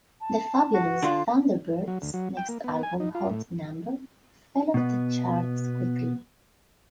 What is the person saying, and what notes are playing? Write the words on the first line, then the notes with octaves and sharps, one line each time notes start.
The Fabulous Thunderbirds' next album, "Hot Number", fell off the charts quickly.
A5
F#4
B4
D3 D4 F4 C6
F#3
D2
F#3
G5
A#3
B3
G#5
D#4
F4
A2
B2 B3